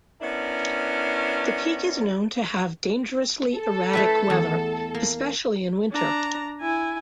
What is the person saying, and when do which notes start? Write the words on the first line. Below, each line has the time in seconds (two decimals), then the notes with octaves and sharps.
The peak is known to have dangerously erratic weather, especially in winter.
0.21 B3 C#4 D4 E4 A#4
3.57 A4
3.93 A3 E4 B4
4.30 E2
4.94 A#3
5.92 D4 A#5
6.61 E4 G#5